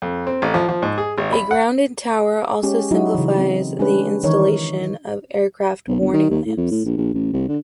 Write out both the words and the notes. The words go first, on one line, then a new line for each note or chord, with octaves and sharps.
A grounded tower also simplifies the installation of aircraft warning lamps.
F2
C4
A1
F3
F3
G#2
G#4
G#1
B5
F#5
G#3 C#4 G4
F#3 D#4 E4 F#4
C#3 E3
C4
G#3 C#4 D4 G4 B4
D#3 E3 D#4 A#4 C#5
B1
G1
D#3
D#2
A2
F2
A2
A#1
A#1
A1
C2
D3